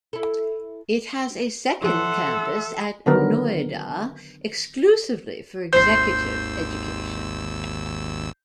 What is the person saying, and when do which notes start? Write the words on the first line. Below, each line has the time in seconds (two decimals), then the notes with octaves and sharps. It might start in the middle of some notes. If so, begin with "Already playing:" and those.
It has a second campus at Noida exclusively for executive education.
0.13 E4 A4
1.81 E3 F3 A4 C#5 E5 F#5 C6
3.06 D3 D#3 F#3 B3 D4 A#4
5.73 G#1 D#2 C5 E6 G6 C7